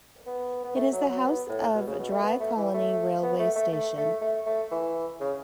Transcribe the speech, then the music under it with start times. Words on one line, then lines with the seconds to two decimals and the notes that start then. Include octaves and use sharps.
It is the house of Drigh Colony railway station.
0.27 B3
0.64 B3
0.76 A3
0.92 F#3
1.09 F#3
1.25 B3
1.49 A2
1.75 B2
1.87 C#3
1.99 B2
2.12 A3
2.23 B3
2.40 A3
2.57 E3
2.74 A3
3.22 B3
3.39 A3
3.56 A3
3.72 A3
3.97 A3
4.21 A3
4.46 A3
4.71 E3
5.20 C#3